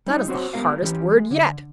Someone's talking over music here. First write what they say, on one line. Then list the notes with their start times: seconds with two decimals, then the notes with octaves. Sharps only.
That is the hardest word yet!
0.06 G3 D#4
0.28 C4 F#4 C#5
0.53 G3 G#3 B3 A#4 F5
0.82 E3 C#4 G4
1.11 G#3
1.31 D3